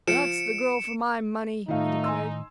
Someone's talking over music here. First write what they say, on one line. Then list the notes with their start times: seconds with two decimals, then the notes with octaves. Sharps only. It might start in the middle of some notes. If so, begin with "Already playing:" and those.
"That's the girl for my money," he declared.
0.07 F3 C#7 D7 E7
1.68 A2 D#3 A3 D#4 F4 F5
2.04 G#5 C6 E6